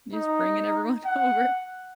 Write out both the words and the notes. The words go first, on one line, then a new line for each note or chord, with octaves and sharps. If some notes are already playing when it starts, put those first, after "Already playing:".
just bringing everyone over.
D#4
F#5